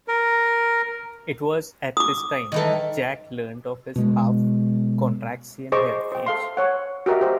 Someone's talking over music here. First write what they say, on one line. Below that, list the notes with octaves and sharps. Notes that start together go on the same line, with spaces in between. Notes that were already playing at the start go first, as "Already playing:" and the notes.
It was at this time Jack learned of his half-Contraxian heritage.
A#4
D6 D#6
D#3 E3 A4
B2 G#3
G#4 C5 D#5 C#6 D6
C5 G5
A4 F5 C6
C#5 F#5
F#4 G4 A#4 D#5 E5
G4 C5